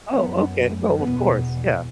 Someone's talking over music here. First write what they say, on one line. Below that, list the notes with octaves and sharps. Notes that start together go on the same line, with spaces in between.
Oh, okay. Well, of course, yeah.
F#2 B3
E2 B2 B3